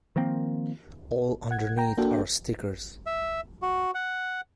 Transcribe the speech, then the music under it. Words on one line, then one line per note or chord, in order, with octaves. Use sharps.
All underneath are stickers.
D#3 F3 A#3 C4
F#5 G#6
G5 A#5
A#3 D4 F#4 A4 G5
E5
F#4
F#5